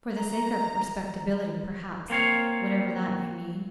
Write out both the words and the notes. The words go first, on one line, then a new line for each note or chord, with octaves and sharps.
For the sake of respectability, perhaps, whatever that may mean.
A#5
A#3 C4 C#5 F5